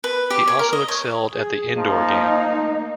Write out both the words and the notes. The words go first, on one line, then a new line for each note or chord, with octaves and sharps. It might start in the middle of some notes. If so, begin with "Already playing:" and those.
He also excelled at the indoor game.
B4
G4
C#5
A#4
D#5
C#5
G#4
F3 A#3 D#4